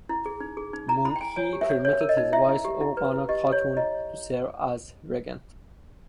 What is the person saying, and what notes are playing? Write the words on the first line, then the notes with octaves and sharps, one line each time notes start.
Mongke permitted his wife Orghana Khatun to serve as regent.
E4
G#4
D#4
G#4
D#4
E4 A#5
E4 B5
G5
E4 G#5
C#5 G#5
G4
E5
C#5
C#5
A#4
D#5
D#4
E4 E5
E4
G4
E4
B4
E4
G4 D#5
G4
C#5
G4
E4 D#5